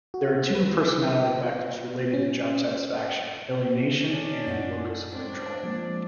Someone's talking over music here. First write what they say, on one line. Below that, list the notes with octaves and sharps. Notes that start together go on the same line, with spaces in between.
There are two personality factors related to job satisfaction, alienation and locus of control.
F#4
B4
C#4
C#4 D4
F#2 D#4 F#4
C4 D4
F3 G#3 A#3